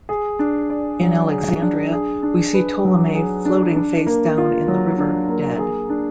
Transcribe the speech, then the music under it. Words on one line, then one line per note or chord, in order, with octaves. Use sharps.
In Alexandria, we see Ptolemy floating facedown in the river, dead.
G#4
D4
D5
F#3
G#4
D4
G#4
D4
B4
F#3
G#4
D4
D4
A#3
F4
F#3
D4
A#3
G#4
D4